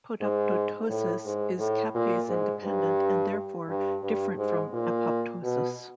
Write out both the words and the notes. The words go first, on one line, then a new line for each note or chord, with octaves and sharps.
Podoptosis is caspase-independent and, therefore, different from apoptosis.
G#2
A2
G#2
A2
A#2
G#2
G2
G2
G2
G#2
A#2
B2